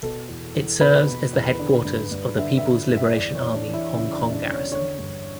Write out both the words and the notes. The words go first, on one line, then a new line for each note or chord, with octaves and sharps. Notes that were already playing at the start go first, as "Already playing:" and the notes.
It serves as the headquarters of the People's Liberation Army Hong Kong Garrison.
B2 A4
E2
E2
B2 B4
B2
E2
D3
G2
G2
D3 E5
E5
D3
G2
E5
E2 D5
C#5
E2
D4
E3
E4
C#3 E4
D4
E2
D4
E2
C#5
D3 C#5
G2